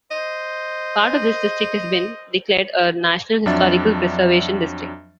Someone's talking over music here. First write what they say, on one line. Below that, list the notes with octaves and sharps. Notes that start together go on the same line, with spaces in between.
Part of this district has been declared a national historical preservation district.
C5 D#5
F2 F#3 D4 E5 A6